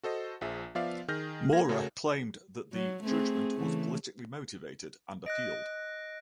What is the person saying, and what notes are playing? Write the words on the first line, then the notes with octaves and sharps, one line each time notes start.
Maurer claimed that the judgement was "politically motivated" and appealed.
F#4 A4 C5 D#5
A#1 F3 G#4 E5
F3 B3 F4 D5 E5 F5
D#3 G#4 F6 G6 A#6
A#3 G#6 A#6
C#3 A3 C#4 F#4 A4 A#4
F#3
A3 C4 G#4
C#3 E3 A3
D#5 F#6 A#6 D7